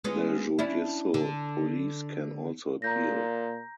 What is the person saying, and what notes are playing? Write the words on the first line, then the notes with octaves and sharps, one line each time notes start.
The judicial police can also appeal.
G#3 B3 C#4
C#4 D4 E4
D3
A#2 A#5 G6 A#6